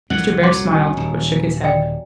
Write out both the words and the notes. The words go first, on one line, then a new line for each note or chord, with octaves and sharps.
Mr. Bhaer smiled, but shook his head.
C2 F2 A#2 F#5 F#7
F#3 F#5 C6 D6
C#4 D#4
D#1
D5 D#5 G5